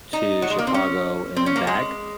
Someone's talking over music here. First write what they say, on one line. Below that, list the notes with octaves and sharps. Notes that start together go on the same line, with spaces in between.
to Chicago and then back,
D#4
F#3
G#3
A#3
C4
C#4
C4
C#4
A#3
G#3